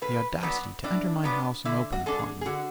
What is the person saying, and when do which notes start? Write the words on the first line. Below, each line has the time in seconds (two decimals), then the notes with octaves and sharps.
The audacity to enter my house, and open upon me!
0.02 A2 B4
0.43 F#3 B3 D4
0.84 A2 D4
1.24 F#3 B3 D4
1.65 D3 E4
1.92 F#4
2.06 G#3 D4 A4
2.19 G#4
2.41 G#4
2.46 D3 F#4